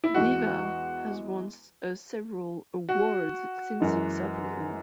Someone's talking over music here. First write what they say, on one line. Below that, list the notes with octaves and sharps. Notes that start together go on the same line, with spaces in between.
Viva has won a several awards since its opening.
E4
E2 E3 G#3 F#4
F#4
F#2 E3 G#3